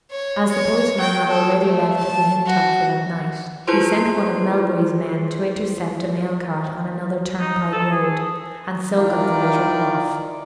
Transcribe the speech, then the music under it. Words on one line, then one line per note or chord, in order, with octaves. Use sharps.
As the postman had already left Little Hintock for that night, he sent one of Melbury's men to intercept a mail-cart on another turnpike-road, and so got the letter off.
C#5
C#5
G5
A4
A3
A5
F#4
E4 F4 G#4 B4 C5 C6
D#4
A4
G#4
D#3 E4 F4 A#4 D5